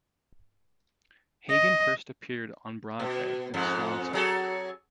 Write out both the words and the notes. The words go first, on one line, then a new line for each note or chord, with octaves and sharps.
Hagen first appeared on Broadway in "Swan Song".
D#5
B2
F2 G#2
F#3 G#4 A4